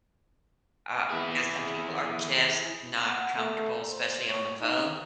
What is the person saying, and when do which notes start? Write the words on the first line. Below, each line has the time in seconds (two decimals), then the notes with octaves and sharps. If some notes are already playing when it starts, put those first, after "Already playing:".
uh, 'cause some people are just not comfortable, especially on the phone.
1.11 E4 G#4
3.06 F#5
3.36 A3
3.90 C5
4.27 C#5
4.60 D#4